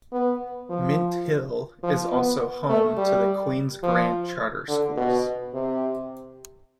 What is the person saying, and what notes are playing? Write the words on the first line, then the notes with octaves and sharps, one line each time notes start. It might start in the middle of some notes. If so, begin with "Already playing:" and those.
Mint Hill is also home to the Queens Grant Charter schools.
B3
F3
F3
B3
A3
G3
F3
D3
B2
C3